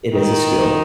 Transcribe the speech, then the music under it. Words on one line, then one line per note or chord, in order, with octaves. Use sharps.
It is a skill.
D#3